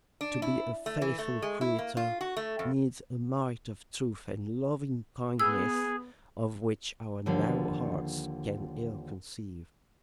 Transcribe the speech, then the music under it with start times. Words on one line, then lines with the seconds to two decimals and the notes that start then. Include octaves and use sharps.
To be a faithful creator needs a might of truth and loving-kindness of which our narrow hearts can ill conceive.
0.21 D4
0.42 E4
0.86 A3
1.02 E3
1.19 A3
1.42 G#3
1.61 E4
1.78 A#3
1.97 F4
2.21 F#4
2.37 A3
2.59 F2
5.40 B3 G#4 E6
7.26 D#2 D3 F3